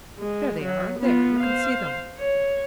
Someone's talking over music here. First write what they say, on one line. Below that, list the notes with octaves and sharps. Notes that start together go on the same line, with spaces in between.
"There they are, there... you can see them."
G#3
F#3
B3 F4
C5 F5
C#5